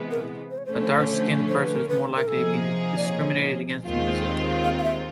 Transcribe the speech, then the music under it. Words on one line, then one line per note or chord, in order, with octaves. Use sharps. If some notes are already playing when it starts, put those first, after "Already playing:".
A dark-skinned person is more likely to be discriminated against in Brazil.
Already playing: C3 E3 G#3 B3
A#4
C5
C#5
C5
D3 F3 A3 C#4 C#5
C5
C#5
C5
C#5
C5
C5
B4
A#4
B4
A#4
C3 F3 A#3 D#4 G#4 A4
D5
C#5
D#2 D#3 G#3 C4 F4
F5
F5
E5